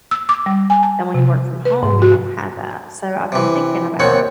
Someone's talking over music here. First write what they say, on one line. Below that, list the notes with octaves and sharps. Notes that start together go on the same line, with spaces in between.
and when you work from home, you don't have that, so I've been thinking about
E6
D6
G3
G#5
A5
C3
B4
G#2
F#4
C3 E3
D#2 C4 C#5 F#5